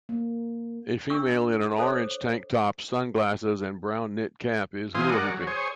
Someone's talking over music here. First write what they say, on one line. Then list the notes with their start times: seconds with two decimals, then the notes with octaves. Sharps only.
A female in an orange tank top, sunglasses, and brown knit cap is hula hooping.
0.09 A#3
1.10 D4 C#6 E6
1.79 A4 C5 C#5 D6
4.95 E3 C4 G#4 F5 C6 D#6
5.10 G#3 A#4 D5 F#5
5.30 F#3
5.47 G#4 C5 C#5